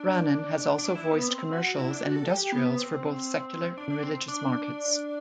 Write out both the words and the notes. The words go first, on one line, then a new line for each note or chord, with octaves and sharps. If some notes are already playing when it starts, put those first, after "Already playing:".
Brannan has also voiced commercials and industrials for both secular and religious markets.
Already playing: D4
D4
E4
B3
C4
F#4
E4
D4
F#4
A4
G4
B3
C4
D4
D4
C4
D4